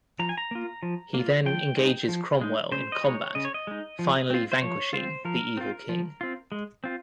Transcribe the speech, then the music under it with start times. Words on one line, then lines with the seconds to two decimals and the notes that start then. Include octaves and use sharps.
He then engages Cromwell in combat, finally vanquishing the evil king.
0.19 F3 A#5
0.29 G#5
0.38 A#5
0.51 A#3 F4
0.83 F3
1.14 A#3
1.19 F4
1.46 F3 G5
1.77 G#3 D#4
2.09 F3
2.41 G#3 D#4
2.72 C#3 C5
2.92 D#5
3.04 G#3 D#4 C#5
3.35 C#3 D#5
3.45 C#5
3.54 D#5
3.67 G#3 D#4
3.99 F3
4.30 C4 F4
4.52 C5
4.62 F3 C#5
4.93 C4 F4 C5
5.25 F3 A#4
5.57 C4 F4
5.89 F3
6.21 C4 F4
6.52 G#3
6.84 C4 F4